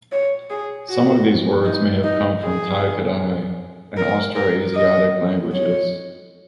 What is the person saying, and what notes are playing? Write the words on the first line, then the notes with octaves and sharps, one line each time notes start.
Some of these words may have come from Tai-Kadai and Austroasiatic languages.
C#5
G#4
F#4
D#4
D#4
G#4
A#4
A#4
D#5
C#5